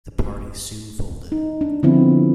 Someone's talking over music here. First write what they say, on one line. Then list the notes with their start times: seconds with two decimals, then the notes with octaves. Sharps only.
The party soon folded.
1.32 D#4
1.61 D4
1.83 D3 F3 B3 C4 E4